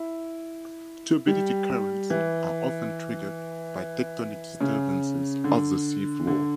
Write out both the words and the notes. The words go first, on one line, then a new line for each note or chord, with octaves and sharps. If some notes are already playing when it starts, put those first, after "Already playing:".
Turbidity currents are often triggered by tectonic disturbances of the sea floor.
Already playing: E4
G3
E3
C#3
D3
D3